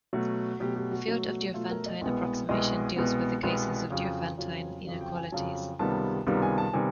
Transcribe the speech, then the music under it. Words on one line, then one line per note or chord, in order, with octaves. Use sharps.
The field of Diophantine approximation deals with the cases of "Diophantine inequalities".
B2 F#3 A3 F#4
B2 F#3 A3 G4
G4
F#4
B2 F#3 A3
B2 F#3 A3 F4
A#4
D#5
C2 B2 G#3 B3
C2 B2 G#3 B3 D#5
C2 B2 G#3 B3
C2 B2 G#3 B3
F2 C#3 F#3
F2 C#3 F#3
F2 C#3 F#3
G5
G#5
F2 C#3 F#3 A5
C#2 C3 D#3 G3 B3 A5
C#2 C3 D#3 G3 B3
G#5
A5
C3 D#3 G3 B3 G#5